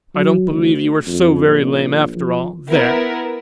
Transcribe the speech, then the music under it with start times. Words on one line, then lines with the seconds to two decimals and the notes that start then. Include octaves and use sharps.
"I don't believe you were so very lame after all--there!"
0.15 F#3
0.50 D2
1.07 F2
1.46 A#1
2.16 F3
2.70 B3 E4 A#4